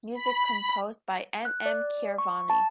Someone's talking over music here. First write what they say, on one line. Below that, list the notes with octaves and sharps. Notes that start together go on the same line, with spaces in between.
Music composed by M. M. Keeravani.
B5
F#6
D5
C#6
A5